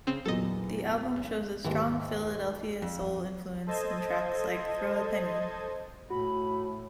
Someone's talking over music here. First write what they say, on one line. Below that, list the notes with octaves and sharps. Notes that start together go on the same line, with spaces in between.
The album shows a strong Philadelphia soul influence in tracks like "Throw a Penny".
C#3 C4
E2 A#2 F#3 A4 D#5
C#2
D#2 G#2 E3
F2
A4 C5 D#5 A5 G#6
A2 F#4 B5